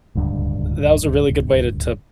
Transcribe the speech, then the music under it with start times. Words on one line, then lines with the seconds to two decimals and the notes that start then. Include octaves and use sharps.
that was a really good way to to
0.15 D1 C#2 G2 D3